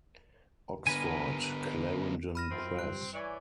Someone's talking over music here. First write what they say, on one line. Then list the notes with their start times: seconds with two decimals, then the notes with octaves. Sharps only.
Oxford, Clarendon Press.
0.87 D3 B3 A#4 B4 G#5
2.35 B5 F6 A#6 D#7
2.51 F#2 C4 F4
2.79 G2 F#6
3.13 E3 C#5 D5 G#5